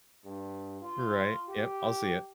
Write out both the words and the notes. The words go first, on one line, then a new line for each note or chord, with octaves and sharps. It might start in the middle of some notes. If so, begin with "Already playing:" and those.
Right, yep, I'll see ya.
G2
F4
G4